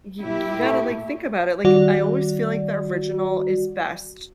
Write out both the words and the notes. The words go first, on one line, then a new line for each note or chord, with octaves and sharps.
you you gotta, like, think about it, like, I always feel like the original is best,
A#2 E4 G4
A3
D#3 G3 F#4 D5